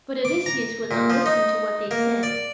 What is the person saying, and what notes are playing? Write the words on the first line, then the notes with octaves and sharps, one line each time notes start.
But Odysseus would not listen to what they said.
D6
A#5
A#2
F3
D#4
A#3
D5